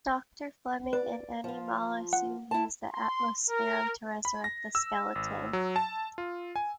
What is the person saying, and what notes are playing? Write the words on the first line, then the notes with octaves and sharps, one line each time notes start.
Doctor Fleming and Animala soon use the atmosphereum to resurrect the Skeleton.
B4 D5
F3 F4
F#5
E4 A5
C6
A#4
B5
A#6
E6
G#1
F#3
A5
F4
G#5